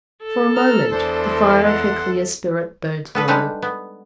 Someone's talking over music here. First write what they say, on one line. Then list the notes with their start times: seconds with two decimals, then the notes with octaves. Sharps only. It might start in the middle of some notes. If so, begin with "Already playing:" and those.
For a moment the fire of her clear spirit burnt low.
0.23 A4
0.55 A#5 F6
0.92 E2 D4 C5 C6
1.66 F#5 C6
3.15 B3 A4 B4
3.28 G3 G#3 D4 D#4 A4 B4
3.62 B3